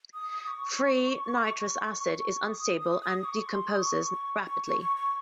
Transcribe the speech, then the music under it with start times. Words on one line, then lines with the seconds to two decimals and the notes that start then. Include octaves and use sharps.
Free nitrous acid is unstable and decomposes rapidly.
0.14 D#6
0.47 C#6
2.13 C#6
2.47 D#6
2.80 D#6
3.02 D#6
3.24 C#6
3.46 C6
3.68 D#6
3.80 C#6
4.14 C#6
4.47 C#6
4.63 C#6
4.80 C#6
4.97 C#6